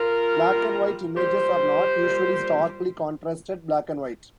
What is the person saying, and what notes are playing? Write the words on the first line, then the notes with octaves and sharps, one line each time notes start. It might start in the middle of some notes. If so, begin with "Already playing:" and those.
Black-and-white images are not usually starkly contrasted black and white.
Already playing: F4 A#4
A#2 G3
A#2 G3 G4 C5
A#2 G3